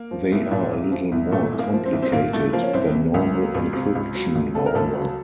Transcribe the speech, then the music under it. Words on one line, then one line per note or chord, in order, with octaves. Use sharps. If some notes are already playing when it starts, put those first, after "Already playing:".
They are a little more complicated than normal encryption however.
Already playing: A#3
F3
C2
A#2
C2
F3
C2
A#2 A3
C2
A#3
F3
C4
C2
C4
A#2 A#3
C2 A3
F3 A#3
C#4
C2 C4
C3
C#2
F#3
C#2
C3
C#2
F#3
C#2
C3 A4
A#4
C#2 A4
F#3